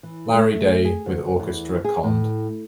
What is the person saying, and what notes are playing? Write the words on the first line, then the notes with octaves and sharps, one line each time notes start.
Larry Day with orchestra Cond.
E3
A3
G#4
D2
E2
G#4
A2